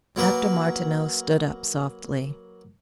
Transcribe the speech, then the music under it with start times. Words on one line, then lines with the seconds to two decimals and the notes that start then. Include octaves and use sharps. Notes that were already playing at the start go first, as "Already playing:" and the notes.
Dr. Martineau stood up softly.
0.16 F#3 A#3 B4